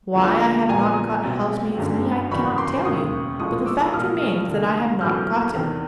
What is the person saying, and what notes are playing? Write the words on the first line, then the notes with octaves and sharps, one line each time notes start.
Why I have not got housemaid's knee, I cannot tell you; but the fact remains that I have not got it.
D2 D3 F3 G#3 B3
A#1 A#2 G3 B3 G#5 A#5
B1 B2 G3 C4
G1 F#2 D3
G#1 F#2 C#3 E3 G3 B5 C#6
C6 D6
E1 D#2 C#3 C#6 D#6
A#1 A2 F3 G#3 C#6 D#6
D6 E6
B1 A2 F3 A#3 D#6 F6
F1 D#2 D3
A1 A2 F#3 B3 F6 G6
E2 C3 D#3